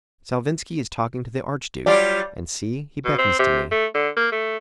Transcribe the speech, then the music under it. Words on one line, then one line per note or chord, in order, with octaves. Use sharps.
Salvinski is talking to the archduke; and see, he beckons to me.
F#3 G3 F4 D5
B2
C4
C3
A3
D3
A#3
A3